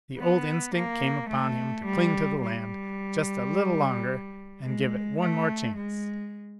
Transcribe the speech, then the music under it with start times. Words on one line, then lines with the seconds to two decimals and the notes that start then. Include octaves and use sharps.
The old instinct came upon him to cling to the land just a little longer and give it one more chance.
0.18 B3
0.75 A#3
1.30 A3
1.85 G3
2.42 G3
4.65 G#3
5.21 A3
5.76 G#3